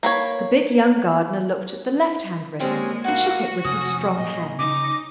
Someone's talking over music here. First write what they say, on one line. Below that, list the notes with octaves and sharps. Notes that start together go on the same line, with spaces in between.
The big, young gardener looked at the left-hand rail and shook it with his strong hands.
A#3 B4 C#5
G3 G#3 A#3 C4 C#4
B2 A#3 F#4 F#5
F1 C#4 D#6
A#2 D#5
C#3 D#4 D#5 D6